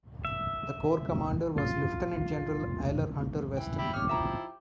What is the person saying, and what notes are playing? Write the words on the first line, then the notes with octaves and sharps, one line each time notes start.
The corps commander was Lieutenant-General Aylmer Hunter-Weston.
E5
F4
E3 G5
G4 E5 G5 B5
D#4 G4 C#5 F6
F3 D#4 E4 E5 A#5